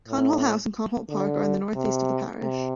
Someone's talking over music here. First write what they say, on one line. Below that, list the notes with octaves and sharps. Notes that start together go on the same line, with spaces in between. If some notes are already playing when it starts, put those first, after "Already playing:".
Conholt House and Conholt Park are in the northeast of the parish.
A2
D3
C3
C3